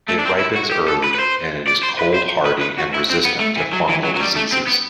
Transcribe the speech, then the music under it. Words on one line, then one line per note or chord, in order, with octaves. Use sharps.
It ripens early, and it is cold-hardy and resistant to fungal diseases.
A3
D4
C4
E4
F#4
G4
A4
B4
B4
C5
D5
C5
B4
C5
B4
B4
F#4
E4
C4
B3
A3
E3
F#3
E3
F#3
F#3
G3
A3
C4
B3